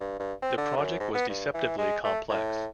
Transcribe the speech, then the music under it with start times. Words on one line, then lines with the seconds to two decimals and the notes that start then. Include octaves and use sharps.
The project was deceptively complex.
0.01 G2
0.19 G2
0.42 C4
0.57 D3
0.77 F#2
1.00 G#2
1.15 B3
1.29 G2
1.54 E3
1.78 G#3
2.04 A3
2.29 A2